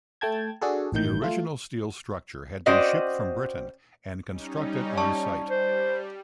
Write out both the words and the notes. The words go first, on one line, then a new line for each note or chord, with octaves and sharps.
The original steel structure had been shipped from Britain and constructed on site.
A3 G5 A5 G#6
D4 F#4 G#4 A4
A1 A2 D#3 G6
A3 F4
C4 C#4 F#4 C5 D5 D#5
G3 C#4 D#4
D5 A5 C#6
G3 C5